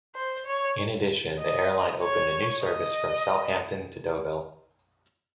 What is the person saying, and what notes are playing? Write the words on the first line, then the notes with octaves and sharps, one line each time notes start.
In addition, the airline opened a new service from Southampton to Deauville.
C5
C#5
D#5
C#5
D#5